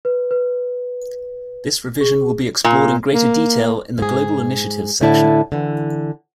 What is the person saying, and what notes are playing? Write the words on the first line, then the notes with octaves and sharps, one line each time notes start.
This revision will be explored in greater detail in the "Global Initiatives" section.
B4
B4
G#4
A#2
A#3
G#2 G#4
A2 D3 E4 A5
D3 E3